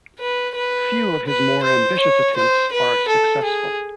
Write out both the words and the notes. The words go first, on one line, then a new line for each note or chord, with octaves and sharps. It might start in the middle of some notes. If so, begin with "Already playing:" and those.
Few of his more ambitious attempts are successful.
B4
B4
B4
C5
C#5
C5
B4
A4
G#4